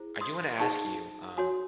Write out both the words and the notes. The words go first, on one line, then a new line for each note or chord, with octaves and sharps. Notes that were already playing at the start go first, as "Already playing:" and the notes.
I do wanna ask you, um,
Already playing: E4 G#4 C5
C6 D#6
D#4 G#4 C5 A5 C#6
F#4 C#5 G#5 C6